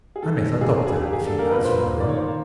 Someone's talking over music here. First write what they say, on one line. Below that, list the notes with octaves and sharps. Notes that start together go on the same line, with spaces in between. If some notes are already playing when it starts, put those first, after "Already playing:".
I met our doctor a few yards further on.
G#4
D#3 A4
G#3
A#3 G#4
A4
D3
G#4
A#3 G4
G#4
D3
A4
A#3 A#4
B4
A#2
C5
A#3
D#3 D5
C#5
A#3 C5